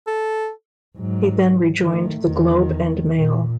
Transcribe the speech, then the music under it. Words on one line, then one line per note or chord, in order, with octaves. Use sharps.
He then rejoined the "Globe and Mail".
A4
G#2 F#3
D#3 A3
E2 D#3
A#2